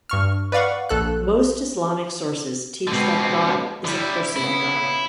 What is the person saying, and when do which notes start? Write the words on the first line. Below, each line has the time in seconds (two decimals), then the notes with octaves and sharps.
Most Islamic sources teach that God is a personal God.
0.09 G2 C#6 F6
0.52 B4 D5 F5 F#5 C#6
0.89 A#1 A4 F#6
2.87 B2 D3 G#3 C4
3.85 D3 G3 E4
4.36 C#3 B3 E4